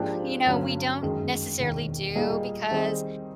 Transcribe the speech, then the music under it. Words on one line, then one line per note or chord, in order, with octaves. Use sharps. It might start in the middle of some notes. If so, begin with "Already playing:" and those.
you know, we don't necessarily do because
Already playing: G#2 F3 A#3 D4 G4
G2 D3 F#3 A#3 C#4
F#2 D#3 G#3
E1 D#2 D#3
A#2 G3 A#3 D#4 G#4
D#3 G3 C4 D#4 G#4